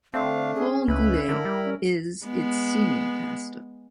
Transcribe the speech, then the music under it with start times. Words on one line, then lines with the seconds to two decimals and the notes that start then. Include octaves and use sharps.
Paul Goulet is its Senior Pastor.
0.14 D3 A3 C4 D4 F5
0.55 C#4 G#4
0.88 C#2 E4 B4 B5
1.28 D3 A#4
1.45 G3
1.66 C#4
2.26 G#3 B3